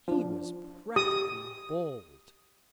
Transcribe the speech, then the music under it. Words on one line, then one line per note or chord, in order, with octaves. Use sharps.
He was practically bald.
F3 D4
G4 D#6